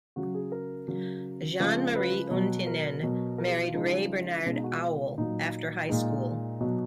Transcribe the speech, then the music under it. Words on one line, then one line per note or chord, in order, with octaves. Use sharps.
Jean Marie Untinen married Ray Bernard Auel after high school.
C#3 F#3 F#4
G#4
A#4
C#3 F#3
C#3 F3 G#3
B4
B2 F#3
A#4
B2 F#3
A#4
G#4
F4
C#3 F3 G#3 D#4
B2 G#3 C#4
D#4
F#4
F4
A#2 F#3 D#4
A#2 G#3 D#4
B2 F#3